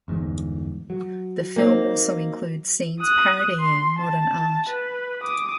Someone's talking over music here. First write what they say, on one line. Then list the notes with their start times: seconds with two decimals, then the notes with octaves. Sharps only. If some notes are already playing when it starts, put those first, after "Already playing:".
The film also includes scenes parodying modern art.
0.08 G1 E2 G#2
0.90 F#3
1.56 A#3 C4 D#4
3.00 D#6 F#6
3.60 C6
3.99 A5
4.69 B4
5.22 D6 D#6